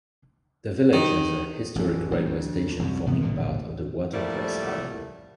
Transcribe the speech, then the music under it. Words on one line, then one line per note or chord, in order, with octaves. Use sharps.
The village has a historic railway station forming part of the Watercress Line.
D#3
A1 E3
A1 G3
D2
C2 F#2
G#1 C3 B3
A#1 A2 D3 D#3
A2 F3 G3 A3 A#3